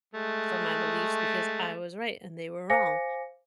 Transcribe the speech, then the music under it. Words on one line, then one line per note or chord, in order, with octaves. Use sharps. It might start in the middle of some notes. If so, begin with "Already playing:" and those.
for my beliefs because I was right and they were wrong.
G#3 A3
C5 F5 G#5 D6 A#6 C#7